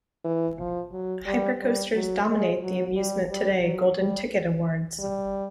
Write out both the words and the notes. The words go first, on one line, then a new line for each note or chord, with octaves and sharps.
Hypercoasters dominate the "Amusement Today" Golden Ticket Awards.
E3
F3
F#3
G3
G3
F#3
G#3
F#3
G3
G3
F#3
G3
G3